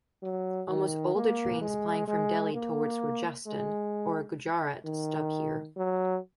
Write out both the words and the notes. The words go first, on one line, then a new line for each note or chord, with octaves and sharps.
Almost all the trains plying from Delhi towards Rajasthan or Gujarat stop here.
F#3
D#3
A#3
G#3
G#3
A#3
G#3
D#3
F#3